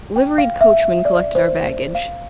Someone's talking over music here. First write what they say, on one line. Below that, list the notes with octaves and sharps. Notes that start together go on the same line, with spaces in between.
Liveried coachmen collected our baggage.
G5
F5
E5
D5
C5
F5